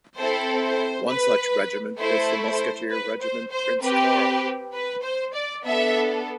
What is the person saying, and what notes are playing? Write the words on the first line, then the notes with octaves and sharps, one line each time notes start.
One such regiment was the Musketeer Regiment Prinz Carl.
C4 E4 A4 C5
C5
B4
A3 E4 A4 C5
C5
B4
C5
C5
C4 G4 B4
B4
C5
D5
B3 D4 A4 E5